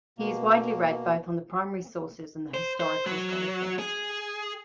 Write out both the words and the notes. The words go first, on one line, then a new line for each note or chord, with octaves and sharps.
He is widely read both on the primary sources and the historical scholarship.
B2 A#3
C5
C5
F#3
G#4